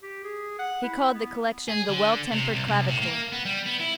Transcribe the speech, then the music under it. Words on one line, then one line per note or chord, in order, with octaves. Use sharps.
He called the collection "The Well-tempered Clavichord."
G4
G#4
F#5
E4
B3
G#4
D3
C3
C2
C2
A2
A#3
B3
G3
B3
E4